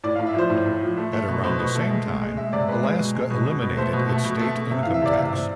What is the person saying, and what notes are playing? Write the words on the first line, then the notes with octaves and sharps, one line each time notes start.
At around the same time, Alaska eliminated its state income tax.
A2 D5
A2 F5
E5
F3 C5
A2
A2
F3
A3
A3
B2
B2 C5
B2
A3
G#3
G#3
G#3
G#3 E5
C3 D5
G#3 B4
G#3
B2
G#3
B2
B2
B2
A3 C5
B2
A3
B2
A3
A3
C3 E5
E3 F5
E5
C3 D5
F5
C3 E5
C3